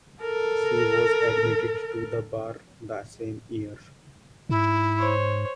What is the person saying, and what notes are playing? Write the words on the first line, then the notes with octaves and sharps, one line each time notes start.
She was admitted to the bar the same year.
A4 A#4
G#2 E4
C5 C#5